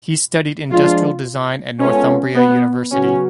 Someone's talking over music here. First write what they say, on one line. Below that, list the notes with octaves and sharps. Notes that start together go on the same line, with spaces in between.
He studied industrial design at Northumbria University.
F3 G#3 D4 F4
G#3 B3 C#4 F4 A4 C#5
B3
C#3 F#3 B3 C#4 F#4